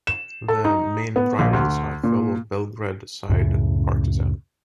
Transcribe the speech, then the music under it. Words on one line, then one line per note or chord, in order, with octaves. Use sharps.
Their main rivals are fellow Belgrade side Partizan.
E7
A4
D#4
B3
A#1
D2
A#2
C#2 F#2 A2 C#3